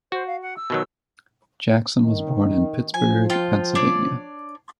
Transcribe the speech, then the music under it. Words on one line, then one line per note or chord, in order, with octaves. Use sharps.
Jackson was born in Pittsburgh, Pennsylvania.
F#4 C5
F5
F#5
E6
B2 D#3 F#3
D#3
F3 G#5
F4 G5
D4 C#5 D5